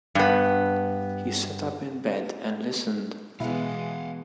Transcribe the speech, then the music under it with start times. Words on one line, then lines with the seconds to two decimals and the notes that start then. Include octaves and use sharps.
He sat up in bed and listened.
0.15 G2 B3
3.40 B2 E3 G#3 B3 E4 F5 F#5